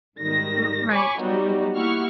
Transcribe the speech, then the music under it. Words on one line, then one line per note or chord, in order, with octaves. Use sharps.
R r right.
G#2 D#3 G3 A#6
C#5 G#5 B5 C#6 D6
F#3 G3 B3 D#4 F#4
A#3 E4 G4 F#5 C#6 F6